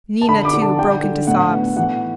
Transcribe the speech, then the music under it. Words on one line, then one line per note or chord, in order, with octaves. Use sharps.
Nina, too, broke into sobs.
A5
D3 B5
D6
D3
A5
D3 G5
D3
A2 F#5
B3 F#5
E3 F#5